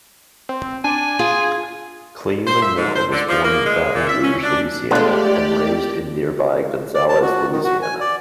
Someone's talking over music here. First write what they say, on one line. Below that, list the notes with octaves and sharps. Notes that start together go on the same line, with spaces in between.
Cleouna Moore was born in Baton Rouge, Louisiana, and raised in nearby Gonzales, Louisiana.
C4
D4 G#5
F4 G#4
C5
E5
G#2
C5
D3
F3
A#3
G#3
A#2
E5
C#4
D4
G#3 A3 B3 D4 F4 G4 D5
D5
A5
F#4
D#3
F#4
G#5
D5